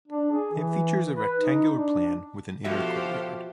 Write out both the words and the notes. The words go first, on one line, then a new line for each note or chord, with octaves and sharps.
It features a rectangular plan with an inner courtyard.
D4
G#4
E3
B4
D#4
D4
B2 F3 F#4 G4 A4 C5 E5 F5